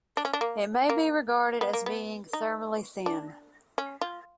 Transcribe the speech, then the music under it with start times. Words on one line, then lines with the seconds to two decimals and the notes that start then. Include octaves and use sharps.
It may be regarded as being "thermally thin".
0.17 D4
0.25 C#4
0.33 D4
0.41 A#3
0.89 A#3
1.61 B3
1.73 A#3
1.86 B3
2.33 D#4
3.06 D4
3.78 C#4
4.01 F4